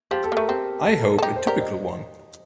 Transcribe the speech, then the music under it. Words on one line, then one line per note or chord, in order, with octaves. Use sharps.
I hope a typical one.
F3 G4
A4
A#3
A3 A#4
C4 G4
A4
A#4
A4
D#4 G4
C5
G4 A#4 D5
D#5